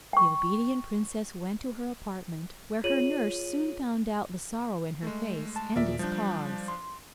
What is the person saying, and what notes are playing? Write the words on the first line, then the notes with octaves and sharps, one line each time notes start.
The obedient princess went to her apartment, where her nurse soon found out the sorrow in her face, and its cause.
G5 C#6
F4 G#4 C#5 D#7 F#7
G#3 A3
A5
D#2 A#2 G#4 A#4 D5 E5
F3 G3 D4 G6
C6